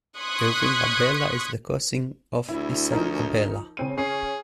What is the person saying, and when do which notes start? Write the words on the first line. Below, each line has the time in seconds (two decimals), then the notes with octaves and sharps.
Irving Abella is the cousin of Isaac Abella.
0.20 C6 C#6 D#6 F#6 G#6 B6
2.49 D2 E4
2.92 F3 D#4 A#4
3.77 C#3 C4 D#7
3.97 C#4 G#4 C7